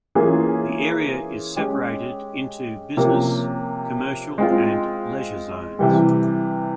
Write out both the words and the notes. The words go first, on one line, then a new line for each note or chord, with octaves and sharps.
The area is separated into business, commercial and leisure zones.
E3 A#3 C#4 F4 G#4
G#3 C#4 G4
C3 F3 A#3 C#4
G#3 C4 F4
C3 E3 G3